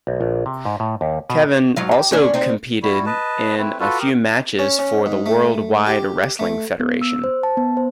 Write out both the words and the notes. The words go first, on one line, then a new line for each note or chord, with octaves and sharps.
Kevin also competed in a few matches for the World Wide Wrestling Federation.
B1
A#1
C3
G#2
A2
D#2
B2
G#2 F#3 F5
G4
D#2 C#4 D4
C4 D#4
G3 E4 F#4
B4 D#5 A5
A3 C4 E4 B4
F4 F#4 A4 B4
G4 A#4 D#6
C#4
C#4
G#2
A3
G4
A3
B3
E6
C5
A5
B3
C5